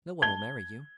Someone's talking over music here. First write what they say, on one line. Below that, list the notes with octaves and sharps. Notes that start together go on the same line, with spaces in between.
No one will marry you.
A5 G#6 G7